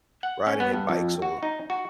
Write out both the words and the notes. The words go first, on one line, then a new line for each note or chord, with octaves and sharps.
riding their bikes or,
F#5
C#4
B3
G2
F2
F#4
D#4
F#4